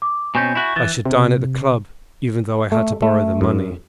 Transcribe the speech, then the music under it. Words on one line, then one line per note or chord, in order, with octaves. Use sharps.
I should dine at the club, even though I had to borrow the money.
D6
B2 C4 C#4 G#5 C#6 G6
E4 F#4
E3 A6
C3
A3
A3
F#2